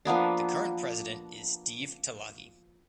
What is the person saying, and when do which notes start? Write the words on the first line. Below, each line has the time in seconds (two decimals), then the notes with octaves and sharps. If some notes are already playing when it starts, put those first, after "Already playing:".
The current President is Deve Talagi.
0.05 F3 A#3 B3 D4